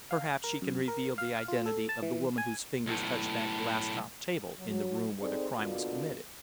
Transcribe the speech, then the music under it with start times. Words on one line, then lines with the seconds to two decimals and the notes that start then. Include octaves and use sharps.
Perhaps she can reveal the identity of the woman whose fingers touched that glass-topped table in the room where the crime was committed.
0.11 F5
0.44 A#4
0.62 F#2
0.88 A#4
1.18 F5
1.48 F4
1.66 A4
1.89 A5
2.02 E3
2.38 G#5
2.86 B1 A2
4.59 F#3
5.20 C4 D#4 G#4 A4 C5 D5
5.58 B2 D3 A#3 D4 F4 F#4